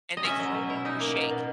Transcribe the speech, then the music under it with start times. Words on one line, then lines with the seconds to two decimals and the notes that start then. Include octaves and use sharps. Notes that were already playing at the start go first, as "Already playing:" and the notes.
and they throw it into a shake.
0.17 D#5
0.24 C#4 E5
0.40 F#3
0.54 B2
0.70 E4
0.85 D#4
1.01 A#3
1.15 B2
1.31 B2